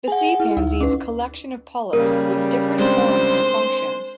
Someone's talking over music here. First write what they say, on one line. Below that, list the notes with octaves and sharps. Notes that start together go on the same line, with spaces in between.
The sea pansy is a collection of polyps with different forms and functions.
G#4 F#5 G#5
E4
D2 D#4
C#4 B4
C#3 G3 A#3 A#4
G#3 C4 D4 C5